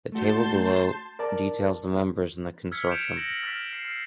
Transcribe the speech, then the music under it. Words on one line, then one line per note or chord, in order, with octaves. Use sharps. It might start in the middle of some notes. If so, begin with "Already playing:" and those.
The table below details the members in the consortium.
A3 F#4 A5 C6 G6
A#4 D5 A5
E6 F6 G#6 B6 C#7
F6 G6 C#7 D7 E7 F7
A#6 C#7 F#7
F6 A6 B6
F6 C7 D7
F6 C7